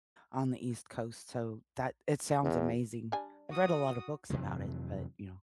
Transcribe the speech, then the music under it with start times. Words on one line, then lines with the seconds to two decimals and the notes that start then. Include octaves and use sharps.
on the East Coast, so that it sounds amazing. I've read a lotta books about it, but, you know,
2.43 E2
3.12 G3 D4 G#5
3.50 F#4 D#6
4.30 F2 C3 E3 F#3